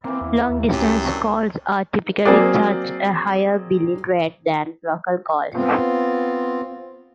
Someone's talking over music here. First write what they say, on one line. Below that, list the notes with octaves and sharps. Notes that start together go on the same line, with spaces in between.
Long-distance calls are typically charged a higher billing rate than local calls.
E3 A#3 C4
E2
D#2
C#2 F#2 C#4 G4
C4 D4 C#5
F#3 A#3 C4 G#4 D5
B3 C4 F4